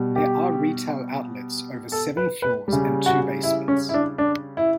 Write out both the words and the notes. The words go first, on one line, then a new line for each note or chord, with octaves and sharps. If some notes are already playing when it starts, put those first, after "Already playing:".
There are retail outlets over seven floors and two basements.
Already playing: B2 G3
G4
A4
B4
B4
C#3 G3
F#4
E4
C#4
E4
D4
D4
E4